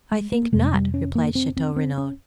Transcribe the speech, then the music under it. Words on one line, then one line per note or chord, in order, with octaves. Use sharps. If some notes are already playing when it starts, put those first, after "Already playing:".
"I think not," replied Chateau-Renaud.
G#3
A#3
F2 C3 G#3
G3
C#4
A#3
C4
C4
C4
C#4